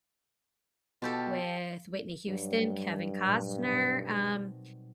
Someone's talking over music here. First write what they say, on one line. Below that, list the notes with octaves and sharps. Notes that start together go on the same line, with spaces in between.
with Whitney Houston, Kevin Costner, um,
B2 F4 G4 A4
G2 F#3 G3
A#2
B2 C4 D#4